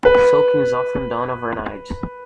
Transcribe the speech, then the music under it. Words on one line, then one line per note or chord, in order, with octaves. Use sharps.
Soaking is often done overnight.
B4